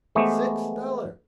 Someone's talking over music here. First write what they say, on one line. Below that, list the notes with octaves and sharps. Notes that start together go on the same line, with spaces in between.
"Six dollars."
E3 G#3 A3 B3 G4 C5